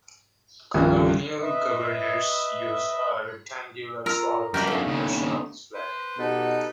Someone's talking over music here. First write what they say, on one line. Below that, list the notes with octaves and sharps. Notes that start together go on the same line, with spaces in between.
Colonial governors used a rectangular swallow-tailed version of this flag.
C2 G2 D#3 F3 C#4 F#4
B4 D#5 E5
F4 A#4 A#5 E6
F#2 F3 G3 A#3 F#4 G4 A#4
A3 B3 D4 D#4
D#2 C#3
B4 C5
B2 D#4 G4 A4 B4